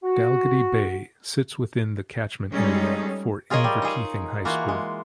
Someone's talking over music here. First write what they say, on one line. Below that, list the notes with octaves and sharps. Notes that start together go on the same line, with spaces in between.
Dalgety Bay sits within the catchment area for Inverkeithing High School.
F#4
G3 G#3 C#4 D#4 G#4 A4
F4 G#4 A#4 C#5 D#5
G3
D#4 G#4
E3 A#3 F4 F#4
G#3